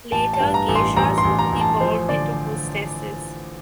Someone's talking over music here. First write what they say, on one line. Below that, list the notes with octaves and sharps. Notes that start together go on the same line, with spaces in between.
Later geishas evolved into "hostesses".
A1 A5
A5
G2
A#5
A1
C6
A1 A#5
C6
A1
A#5
A1
A5
F3 C5
D3 D5